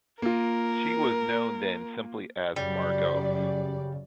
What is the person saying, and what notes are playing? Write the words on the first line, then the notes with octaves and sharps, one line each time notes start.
She was known then simply as Margox.
A#3 F4 A#4
F#2 C#3 G3 D5